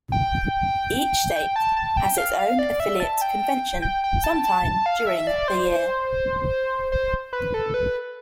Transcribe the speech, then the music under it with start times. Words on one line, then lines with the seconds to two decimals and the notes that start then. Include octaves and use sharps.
Each state has its own affiliate convention sometime during the year.
0.12 G5
1.36 G5
1.56 A5
1.76 A5
1.97 G5
2.18 F5
2.39 F5
2.59 D5
2.80 E5
3.00 A5
3.21 G5
3.82 G5
4.04 G5
4.24 A5
4.44 A5
4.65 A5
4.86 F5
5.07 E5
5.27 D5
5.48 C5
6.92 C5
7.33 B4
7.54 A4
7.74 B4